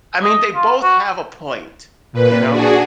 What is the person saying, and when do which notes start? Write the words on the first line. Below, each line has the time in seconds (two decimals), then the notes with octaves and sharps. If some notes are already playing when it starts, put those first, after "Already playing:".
I mean, they both have a point, you know
0.23 D#5
0.55 F4
0.83 F#4
2.13 A#2 B4
2.50 D4 F#4 G#4